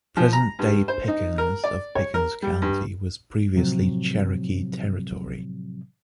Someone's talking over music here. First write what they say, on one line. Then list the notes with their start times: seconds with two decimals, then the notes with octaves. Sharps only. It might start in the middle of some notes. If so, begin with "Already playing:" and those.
Present-day Pickens of Pickens County was previously Cherokee Territory.
0.17 F3
0.33 A#5
0.59 G2
0.88 C5
1.08 D#4
1.38 A#4
1.64 D5
1.95 C#5
2.14 A#4
2.42 G3
2.62 G2
3.55 A2 C3 F3 F#3 C4